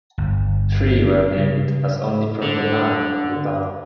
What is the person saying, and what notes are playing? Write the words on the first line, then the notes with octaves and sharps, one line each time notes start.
Three were named, as only from the "Man" of the town.
G1
C#3
D3